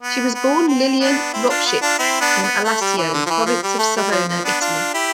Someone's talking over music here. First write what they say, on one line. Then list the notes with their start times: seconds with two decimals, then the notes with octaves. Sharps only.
She was born Lillian Ropschitz in Alassio, Province of Savona, Italy.
0.02 B3
0.35 B3
0.68 C4
1.00 B3 D4
1.33 C4 E4
1.50 D4 F4
1.66 B3
1.82 D4 F4
1.98 C4 E4
2.21 B3 D4
2.43 B3
2.64 A3
2.81 G3
2.97 E3
3.14 D3
3.26 F3
3.30 E3
3.46 F3
3.63 G3
3.79 A3
3.96 G3
4.11 F3
4.28 F3
4.45 B3 D4
4.61 D4 F4
4.94 E4 G4